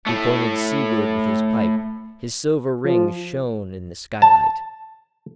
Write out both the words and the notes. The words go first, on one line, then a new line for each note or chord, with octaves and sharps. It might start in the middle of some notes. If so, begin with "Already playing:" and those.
He pointed seaward with his pipe, his silver ring shone in the sky light.
A2 A3
F3
A5